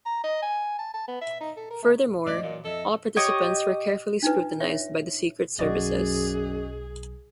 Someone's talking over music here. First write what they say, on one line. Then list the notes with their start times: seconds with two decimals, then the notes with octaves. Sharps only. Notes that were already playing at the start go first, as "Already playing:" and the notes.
Furthermore, all participants were carefully scrutinized by the secret services.
0.06 A#5
0.24 D#5
0.42 G#5
0.79 A5
0.94 A5
1.08 B3
1.21 E5
1.41 D#4
1.57 A4
1.71 A#4
1.82 A3
2.27 F#2 A2 D#3 D5 D#5
2.42 A#2 E3 F#3 F4
2.65 F2 A4 D#5 E5
3.16 G4 C#5 D#5
4.23 D4 D#4 F4 B4
4.60 C#5 E5
5.59 B1 F#2 F#3 F#4 G#4 D5 D#5